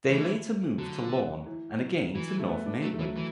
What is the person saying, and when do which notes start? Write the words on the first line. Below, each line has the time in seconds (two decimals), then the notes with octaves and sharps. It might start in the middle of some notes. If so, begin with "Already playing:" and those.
They later moved to Lorn and again to North Maitland.
0.10 E3 A3
0.78 D3 F#3
1.46 E3
1.80 F#3
2.14 E3 F#3
2.39 A3
2.48 B3
2.66 D4
2.82 F#3 A3
2.94 A3
2.99 E3
3.05 F#3
3.16 E3